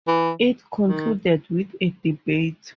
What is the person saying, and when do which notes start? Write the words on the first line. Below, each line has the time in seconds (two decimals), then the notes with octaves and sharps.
It concluded with a debate.
0.08 E3
0.86 D#3